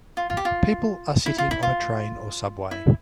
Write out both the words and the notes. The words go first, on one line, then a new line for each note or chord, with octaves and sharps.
People are sitting on a train or subway.
F4
F4
G4
F4
E4
F4
E4
F4
E4